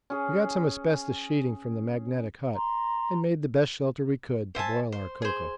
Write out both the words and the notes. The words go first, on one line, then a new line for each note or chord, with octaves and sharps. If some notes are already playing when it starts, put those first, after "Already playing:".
We got some asbestos sheeting from the magnetic hut and made the best shelter we could to boil our cocoa.
C#4 G#4
A#5 C6
C5 E5 G#5 A5
C5
G#4 C5